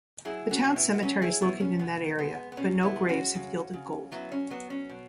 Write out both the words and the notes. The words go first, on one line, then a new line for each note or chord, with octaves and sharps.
The town cemetery is located in that area, but no graves have yielded gold.
F#3 E4 G#4
C#4 F#4
B2
B3 E4
B3
F#3 C#4
E4 G#4
B2 B3 E4
C#4
B2 B3
G#3 B3
B3
B2 C#4
B3 E4
G#3
C#4 F#4
C#3
C#3
F#3 B3 E4
C#4
F#3 B3
C#4
B2